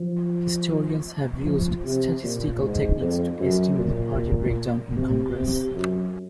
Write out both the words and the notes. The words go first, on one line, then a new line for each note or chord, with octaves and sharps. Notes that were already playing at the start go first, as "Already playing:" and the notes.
Historians have used statistical techniques to estimate the party breakdown in Congress.
Already playing: F3
F3
C3
A#2
G#2
F2
F#2
A#2
C3
C3
F#2